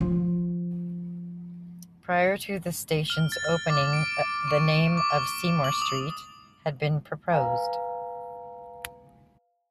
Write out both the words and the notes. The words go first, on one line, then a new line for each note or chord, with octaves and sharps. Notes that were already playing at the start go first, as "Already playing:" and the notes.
Prior to the station's opening, the name of "Seymour Street" had been proposed.
F3 F4
F6
A6
F6
D6
D7
C#6
D6
F6
F#7
D#6
B4 F5 G#5 A#5